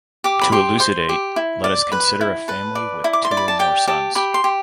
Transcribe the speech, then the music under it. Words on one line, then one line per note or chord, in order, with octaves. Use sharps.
To elucidate, let us consider a family with two or more sons.
G4 D6
B5
G4 C6
C5 C6
G4
E4
D5
B4 B5
E4
B4 A5
D5
E4
D6
C6
D5
B5
A5
G4 G5
G4 A5
G4 B5
C6
G4